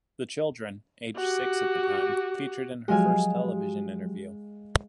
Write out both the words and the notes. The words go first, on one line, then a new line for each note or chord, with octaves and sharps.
The children, aged six at the time, featured in her first television interview.
F#4 G4
F3 F#3 G#3 G4 F5 G#5